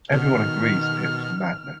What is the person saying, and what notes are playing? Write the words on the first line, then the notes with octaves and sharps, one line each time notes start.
Everyone agrees that it was madness.
B2 D#3 F6